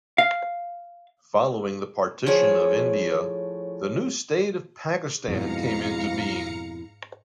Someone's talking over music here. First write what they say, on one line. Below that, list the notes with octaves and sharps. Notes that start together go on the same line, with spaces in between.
Following the partition of India, the new state of Pakistan came into being.
F5
A2 F3 G#4 C#5
F2 G#2 B2 E4 F5 A#5 C#7